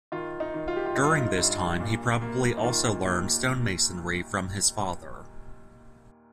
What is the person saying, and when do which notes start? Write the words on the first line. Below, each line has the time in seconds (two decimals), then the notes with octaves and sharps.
During this time he probably also learned stonemasonry from his father.
0.12 D#3 F4
0.40 D#4
0.54 D#3
0.68 F4
0.76 G4
0.86 F4
0.96 G2 D#4
1.04 F4
1.11 D#4
1.38 G2
1.80 A#2
2.22 A#3
2.57 D#4
2.63 D#3 F4
3.05 D#2